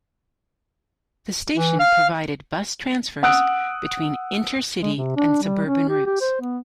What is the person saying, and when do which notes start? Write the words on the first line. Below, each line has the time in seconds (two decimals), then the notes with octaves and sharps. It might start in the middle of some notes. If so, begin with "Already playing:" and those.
The station provided bus transfers between inter-city and suburban routes.
1.56 E3
1.80 F5 F6
3.23 F#5 D#6 E6 F#6 D7
4.82 G#3
4.96 C3
5.16 D4
5.43 G3
5.65 C#4
5.89 G4
6.06 G4
6.21 C5
6.41 B3